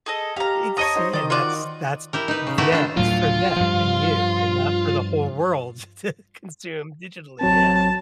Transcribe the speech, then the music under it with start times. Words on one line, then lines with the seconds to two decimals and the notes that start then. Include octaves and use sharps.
It's see, and that's that's tha it's for them, and you, and not for the whole world to consume digitally, yeah.
0.06 G#4 A4 D#5
0.36 G4 F5 A#5
0.77 C#5 D#5 A5 A#5 D#6 D#7
0.96 D#4 C5
1.13 D#3 D5 D#5
1.30 F4 F#4 D5
2.13 E4 G4 A#4
2.28 D#4 B4
2.47 C#3
2.58 D#3 A3 E4 F#4 G4 B4
2.72 D4 F4 A4
2.97 D2 A2 F#3 F4
3.56 G2 F3
7.41 A1 F#3 C4 A5